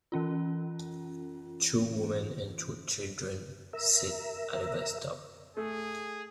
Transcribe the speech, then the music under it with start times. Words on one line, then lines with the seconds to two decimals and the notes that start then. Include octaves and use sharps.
Two women and two children sit at a bus stop.
0.12 E3 C#4 F4
3.73 A#4 E5
5.57 A3 G#4